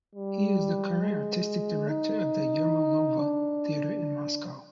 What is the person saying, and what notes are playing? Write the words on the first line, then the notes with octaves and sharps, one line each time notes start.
He is the current artistic director of the Yermolova Theatre in Moscow.
G3
G#3
D#4
D4